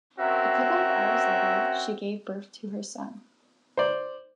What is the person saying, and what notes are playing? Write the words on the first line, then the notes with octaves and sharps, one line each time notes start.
A couple of hours later, she gave birth to her son.
C4 C#4 F#4 A#4 E5
C5 D5